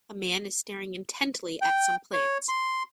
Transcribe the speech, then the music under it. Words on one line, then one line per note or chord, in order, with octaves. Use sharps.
A man is staring intently at some plants.
G5
C#5
C6